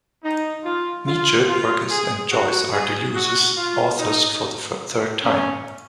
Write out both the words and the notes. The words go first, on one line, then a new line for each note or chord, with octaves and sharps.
Nietzsche, Borges, and Joyce are Deleuze's authors for the third time.
D#4
F4
F4
F4
G#4
F#4
G#4
F#4
F4
D#4
C#4